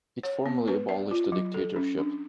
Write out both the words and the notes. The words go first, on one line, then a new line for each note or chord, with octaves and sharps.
It formally abolished the Dictatorship.
C#5
B3
B4
D5
F4
F#3
A4
C#4
D4